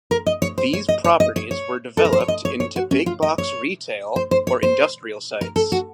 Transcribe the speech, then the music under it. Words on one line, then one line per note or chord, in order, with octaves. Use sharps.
These properties were developed into big-box retail or industrial sites.
A#4
D#5
C#5
C5
C#5
D#5
C#5
D#5
C#5
C#5
A4
A#4
C5
C#5
D#5
C#5
C#5
F#4
C#4
F4
D#5
C#5
C5
C5
C#5
C5
A#4
A4
F#4